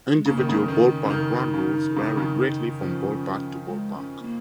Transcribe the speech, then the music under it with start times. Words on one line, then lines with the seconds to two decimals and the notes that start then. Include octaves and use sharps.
Individual ballpark ground rules vary greatly from ballpark to ballpark.
0.14 G#3
0.26 C#3 A#3
0.37 D#3
0.49 C#3
0.68 D#3 C#4
0.78 A#3
0.87 C#4
1.04 C#3 C#4
1.10 D#3 D#4
1.54 C#3
1.96 C#3
2.06 D#3
2.17 C#3
2.39 D#3
2.81 F3 C#4
3.66 G#3
3.95 C#4
4.23 A#3